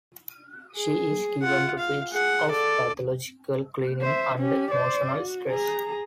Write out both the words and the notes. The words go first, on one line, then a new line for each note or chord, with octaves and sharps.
She is given to fits of pathological cleaning under emotional stress.
G#4
F4 F#5
F5
G#4 F#5
A4 D5
C5 E5
C#4 G4
C5 D5
F#4
G#4 A#5